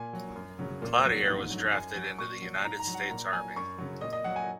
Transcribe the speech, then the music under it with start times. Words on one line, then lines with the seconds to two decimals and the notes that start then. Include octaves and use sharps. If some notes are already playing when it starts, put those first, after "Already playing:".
Cloutier was drafted into the United States Army.
Already playing: A#2 G#5
0.13 F#3
0.36 F#2
0.59 C#3 F#3
0.82 A#2
1.05 F#3
1.28 G#2
1.50 F#3
1.73 F#2 G#5
1.96 F#3
2.18 A#2 C#6
2.42 F#3
2.65 G#2 A#5
2.79 A#5
2.87 F#3
2.94 F#5
3.10 A#2 A#5
3.33 F#3 G#5
3.56 F#2 C#6
3.78 C#3 F#3
4.01 A#2 D#5
4.13 D#5
4.24 F#3 F#5
4.36 G#5